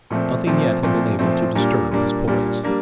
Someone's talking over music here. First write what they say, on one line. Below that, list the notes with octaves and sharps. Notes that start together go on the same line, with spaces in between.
Nothing yet had been able to disturb his poise.
A#2 F3 A3 C4
A#2 F3 A3 C4
A#2 F3 A3 C4
A#2 F3 A3 C4
A#2 G3 A#3 D4
A#2 G3 A#3 D4
A#2 G3 A#3 D4
G3 A#3 D4